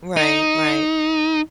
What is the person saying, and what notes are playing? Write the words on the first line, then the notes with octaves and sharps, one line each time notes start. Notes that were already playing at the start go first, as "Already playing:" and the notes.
Right, right.
D#4